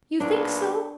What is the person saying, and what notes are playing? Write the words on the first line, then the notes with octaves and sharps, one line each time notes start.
"You think so?"
B1 A#2 D4 B4